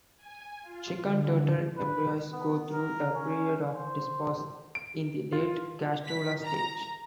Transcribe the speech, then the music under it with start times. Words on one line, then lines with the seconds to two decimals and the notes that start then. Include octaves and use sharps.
Chicken turtle embryos go through a period of dispause in the late gastrula stage.
0.17 G#5
0.61 F4
1.02 D3
1.77 B4
2.33 B3
2.72 A#4
3.15 C#4
3.75 C5
4.75 D7
5.33 F4
6.06 B6
6.44 A#5